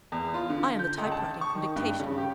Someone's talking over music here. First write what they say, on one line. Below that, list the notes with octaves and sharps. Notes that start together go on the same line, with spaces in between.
'I am the typewriting from dictation.
E2
F4
D3
G6
C#2
A5
C#6
D#3
G2
C#3
G4